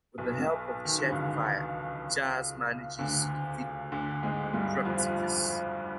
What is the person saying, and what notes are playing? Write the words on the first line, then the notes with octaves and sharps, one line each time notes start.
With the help of Jetfire, Jazz manages to defeat Bruticus.
B1 B2
D#3
D3
C#2 C#3
D2 D3
D2 D3
G#2 G#3
G2 G3
F2 F3